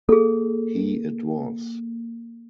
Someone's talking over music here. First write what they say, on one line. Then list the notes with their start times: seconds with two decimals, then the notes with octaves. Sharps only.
He it was.
0.09 A#3 G#4 A4